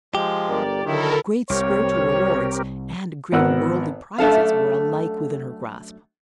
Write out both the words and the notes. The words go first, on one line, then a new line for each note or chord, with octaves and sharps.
Great spiritual rewards and great worldly prizes were alike within her grasp.
F3 G#3 G4
G1 A#4 D5
D3 D#3 F#3 E4 A4 A#4
C2 C4 G4 A#4 C#5
G#1 B3 A#4 F#5 E6 F#6
F#2 A3 D4 A4 F5